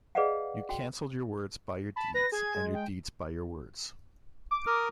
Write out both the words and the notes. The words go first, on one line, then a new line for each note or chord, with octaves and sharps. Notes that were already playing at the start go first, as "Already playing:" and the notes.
You cancelled your words by your deeds and your deeds by your words.
G#4 B4 D5 D#5 F5 F#5
F#4 G5
A5 B5
B4 A#6
G#4 G#6
G#3
G5
D6
A#4 D#6 F6